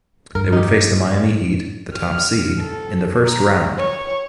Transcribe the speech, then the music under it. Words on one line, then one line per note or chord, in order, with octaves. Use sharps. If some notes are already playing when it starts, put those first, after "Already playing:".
They would face the Miami Heat, the top seed, in the first round.
G2 A#4
D#4 G4
F6
A4
A#5
C#5